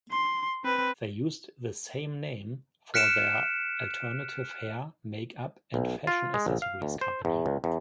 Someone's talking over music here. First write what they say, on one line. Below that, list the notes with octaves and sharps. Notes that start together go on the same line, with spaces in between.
They used the same name for their alternative hair, makeup and fashion accessories company.
C6
C4 B4
F6 F#6 B6 C#7 D7 E7
B1
F4
G#3
A#1
F5
D2
C5
E2
C#2
E2